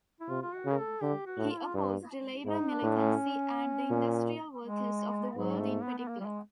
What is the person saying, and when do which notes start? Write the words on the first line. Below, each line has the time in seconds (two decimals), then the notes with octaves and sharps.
He opposed labour militancy and the Industrial Workers of the World in particular.
0.20 E4
0.29 C3 F4
0.42 F4
0.54 F#4
0.65 C#3
0.71 A#4
0.78 A4
1.02 D3 G4
1.26 F#4
1.38 A2
1.50 F4
1.57 E4
1.65 F4
1.74 G2
2.46 G#2 D#4
2.71 D4
2.83 A2
2.95 C#4
3.90 A#2
4.63 G#3
5.35 G#2 F#3
5.60 A3
5.83 B3
5.98 B3
6.08 A#3
6.20 G3
6.26 G#3